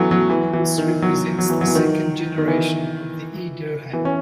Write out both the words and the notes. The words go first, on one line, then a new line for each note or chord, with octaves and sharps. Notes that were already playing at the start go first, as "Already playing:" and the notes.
This represents the second generation of the e-Dirham.
Already playing: E3 F#3 A3 C#4
F#3
E3
E3
D#3
F#3
F#3
E3
F#3
E3
D#3
D#3
E3
E3
C#4